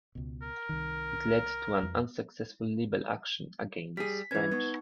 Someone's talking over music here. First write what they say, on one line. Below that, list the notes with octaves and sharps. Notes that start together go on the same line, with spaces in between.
It led to an unsuccessful libel action against French.
C#2 B2
A#4
C2 D#3
F2
G3 G#4 B6
E3 C#4 B4 G#6
B3 D#4 C#6